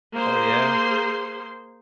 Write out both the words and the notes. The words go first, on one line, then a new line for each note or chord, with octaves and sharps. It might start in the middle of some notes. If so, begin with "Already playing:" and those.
Oh, yeah?
A#3 G#4 C5 C6